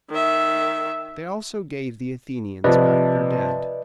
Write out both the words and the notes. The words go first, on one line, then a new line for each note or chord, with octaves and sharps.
They also gave the Athenians back their dead.
D#3 E5
C3 F3 B4 D5 D#5